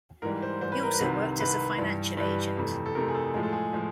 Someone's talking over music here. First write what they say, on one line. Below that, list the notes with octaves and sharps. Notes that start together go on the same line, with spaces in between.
He also worked as a financial agent.
G#2 E3 G3 A#4
C5
G#2 E3 G3 C5
B4
A#4
B4
C2 C3 D#3
C2 C3 D#3 B4
G2 E3 G3
G2 E3 G3 B4
F2 C3 E3 A3
A4
F2 C3 E3 A3 A#4
G#4
A4
A2 F3 G#3 G#4
A4
G#4
A2 F3 G#3